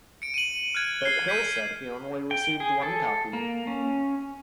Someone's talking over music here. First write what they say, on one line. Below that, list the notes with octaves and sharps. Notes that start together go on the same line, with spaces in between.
But Hill said he only received one copy.
C#7 D7
D#7 F#7
F6 F#6 G#6
C7 G7
G6 B6 D#7
G5
G#4
A4
A#3
C#4